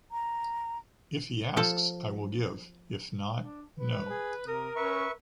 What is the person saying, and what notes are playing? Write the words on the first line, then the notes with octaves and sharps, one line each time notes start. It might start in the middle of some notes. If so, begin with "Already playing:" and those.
If he asks, I will give. If not, no.
A#5
F3 A4
D4
B4
G#4
C3 A#4 D#6
C#4 B4 E5 C#6